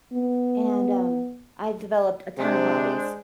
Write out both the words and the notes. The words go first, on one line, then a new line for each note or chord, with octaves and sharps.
and, um, I've developed a ton of hobbies,
B3
C3 G#3 D4 C5